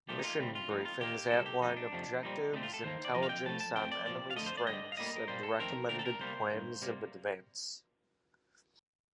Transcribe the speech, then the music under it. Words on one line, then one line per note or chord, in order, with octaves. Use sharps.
Mission briefings outline objectives, intelligence on enemy strengths and recommended plans of advance.
A#2 F3 A3 C4 G4
D#4
F4
D2 C3 G3 C4
F4
A2 F3 C4 D#4
F4
D#2 D#3 A#3 G4
C2 C3 D#3 A#3 A4
G4
F2 D3 A3 D#4
D4
F2 C3 F3 A3
A#2 G3 C4 D#4
D2 D3 A3 C4 D#4
F4
A4
D#2 D#3 A#3 C5
D5
F2 D3 F3 C4 D#5
F5
G5
A2 F3 A3 A5
A5
F2 D#3 A3 C4 G5
D5
A#2 F3 A#3 D5
F5
F2 D3 A3 D#5
C5
D5
G2 D3 G3 D#5
F5
A2 G3 A#3 D#5
A#4
A#2 G3 A#3 C5
A4
F2 D#3 A3 C4 A#4
D2 D3 A3 C4 A#4
A4
A#4
C2 C3 G3 A#3 C5
G2 D#3 A#3
C3 G3 A#3